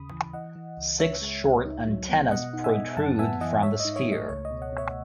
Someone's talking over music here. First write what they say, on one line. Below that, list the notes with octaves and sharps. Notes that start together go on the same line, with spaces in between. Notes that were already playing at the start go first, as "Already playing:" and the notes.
Six short antennas protrude from the sphere.
Already playing: D#2 C#3 B5 D#6
E3
E3 D#5 F#5
E3
C#2
C#3 C#5 E5
G#3
C#2
D#4
F#3
B3
B2 D#5 F#5
D#4
E5 G#5
B2
F#2 F#5 A5
B3 E5 G#5
E3 D#5 F#5
G#2 C#5 E5
D#5
D#4
C#5 E5
A3
D#5
C#2 C#5
D#5
B2
D#5 F#5
B2
C#5 E5